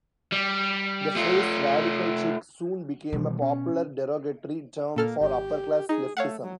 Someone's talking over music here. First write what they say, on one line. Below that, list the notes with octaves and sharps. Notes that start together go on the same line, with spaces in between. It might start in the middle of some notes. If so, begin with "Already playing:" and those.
The phrase "radical chic" soon became a popular derogatory term for upper-class leftism.
G3
A3 F4
B2 D#3 E3 G3
C#4
A#2 A#3 A4 F6
G#1 G4
D#4 G#4
A3 C#5 F5 F#5
F#3